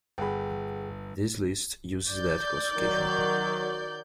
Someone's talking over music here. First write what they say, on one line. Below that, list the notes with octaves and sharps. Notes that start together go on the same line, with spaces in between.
This list uses that classification.
G1 G#4 F#5 G5 B5
D5 G6
D#3 F#3